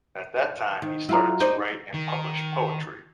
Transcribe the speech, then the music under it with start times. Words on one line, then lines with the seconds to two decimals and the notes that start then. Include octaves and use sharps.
At that time he started to write and publish poetry.
0.82 D#3
1.09 F#3 E4 F4 A#5
1.40 D#4 A#4 C5 D5
1.94 D#3